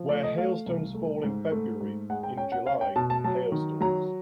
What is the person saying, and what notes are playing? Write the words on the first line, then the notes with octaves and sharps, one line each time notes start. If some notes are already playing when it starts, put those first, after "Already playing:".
Where hailstones fall in February, in July, hailstorms.
Already playing: F3
A3 D5
D#5
A3 F5
C2
A3
G#2
A3
G#2
G#3 F#5
G5
C#4 G5
F#5
C#4 F5
G5
B2 A5
A5
F#3 A5
D#3
F#3 A#5